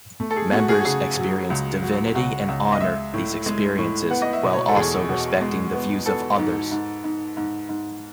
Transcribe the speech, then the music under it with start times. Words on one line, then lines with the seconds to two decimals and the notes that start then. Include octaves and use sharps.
Members experience Divinity and honor these experiences while also respecting the views of others.
0.20 A3
0.31 A4
0.36 G#4
0.52 A3 F#4
0.69 G#4
0.80 F#4
0.85 C#3 G#4
1.17 F#3
1.50 C#2
1.82 F#3
2.15 C#2 F#4
2.48 C#2
2.72 D#5
2.80 G#3 E5
3.14 A2
3.46 G#3
3.78 A2
4.10 B3 F#5
4.22 D#5
4.33 E5
4.43 B2
4.53 C#5
4.68 A4
4.76 E2 G#4
5.09 B2
5.41 G#3
5.74 B3
6.06 B3 A4
6.38 G#2
6.72 G#2
7.04 G#2
7.37 G#2
7.69 G#2